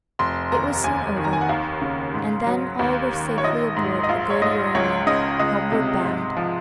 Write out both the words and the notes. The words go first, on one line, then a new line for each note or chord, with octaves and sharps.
It was soon over; and then all were safely aboard the good Urania, homeward bound.
F1 C6
D#2 A#5
D#2 G#5
D#3
A#5
G#5
F#5
D#2 F5
C#3
G#2
F#3
D#2
D#3
C#5
A#1 D#5
G#2
D#5
A#1 F5
C#5
G#2 D#5
C#2 C#5
C#3 D#5
C#2 D#5
C3
G#2
F3